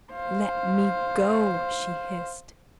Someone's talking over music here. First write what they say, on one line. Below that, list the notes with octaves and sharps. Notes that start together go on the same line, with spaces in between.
"Let me go!" she hissed.
C5 F5